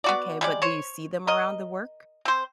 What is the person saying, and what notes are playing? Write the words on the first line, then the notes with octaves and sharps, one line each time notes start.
okay but do you see them around the work?
B3 F#4 D5
G3 G#3 D5
C5 C#5
A#4 D#5
C4 C5